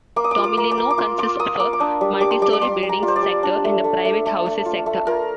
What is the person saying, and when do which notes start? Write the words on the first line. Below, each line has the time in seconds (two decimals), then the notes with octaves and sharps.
Tomilino consists of a multistory buildings sector and a private houses sector.
0.16 A#3 D6
0.24 D#6
0.31 D6
0.38 F4
0.44 D6
0.57 A#3
0.71 D6
0.78 A#3
0.90 D6
0.98 F4 C6
1.18 F4 D6
1.40 A#3 D#6
1.60 A#3 D6
1.73 D6
1.80 D4 D#6
2.01 G3
2.20 G3 D6
2.31 C6
2.42 G3 D6
2.53 D6
2.62 G3 C6
2.83 G3
2.89 A#5
3.03 F4
3.08 C5
3.16 D5
3.23 G3
3.43 D4
3.65 A3
3.84 A3
4.05 A3
4.26 A3
4.46 A3
4.66 F4
4.86 A3
5.07 F4 A#4